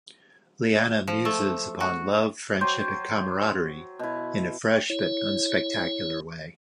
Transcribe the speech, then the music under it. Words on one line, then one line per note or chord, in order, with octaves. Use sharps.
Lianna muses upon love, friendship, and camaraderie in a fresh but unspectacular way.
F3
A3
F#4
F#3 C5 G5 C6
B2 E4
E4 C#5